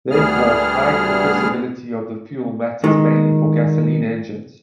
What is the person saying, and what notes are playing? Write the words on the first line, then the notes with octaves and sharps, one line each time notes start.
Therefore, high compressibility of the fuel matters mainly for gasoline engines.
D2 G3 B3 G#4 F6
D#3 G#3